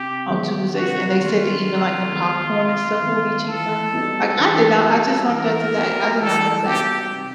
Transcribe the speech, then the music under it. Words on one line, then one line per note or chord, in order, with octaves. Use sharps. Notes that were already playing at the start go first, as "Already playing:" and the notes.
on Tuesdays and they said that even, like, the popcorn and stuff will be cheaper. Like, I did not I just learned that today I did not know that.
Already playing: C3 G4
D#3 G#3 B3
C3 F#4
D#3 G#3 B3 F4
C3
D#3 G#3 B3
C3
D#3 G#3 B3
E3 A4
G3 B3 D#4 F#4
E3
G3 B3 D#4 F#4
E3 A#4
G3 B3 D#4 F#4
E3 A4
G3 B3 D#4 F#4 G4
C3